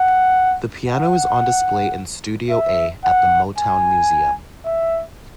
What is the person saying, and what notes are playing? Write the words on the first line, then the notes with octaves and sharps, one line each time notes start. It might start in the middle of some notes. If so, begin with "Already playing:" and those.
The piano is on display in Studio A at the Motown Museum.
Already playing: F#5
F#5
E5
F#5
G#5
E5